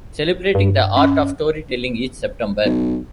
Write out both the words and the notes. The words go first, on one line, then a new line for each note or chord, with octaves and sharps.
Celebrating the Art of Storytelling each September.
G2
C#4
B1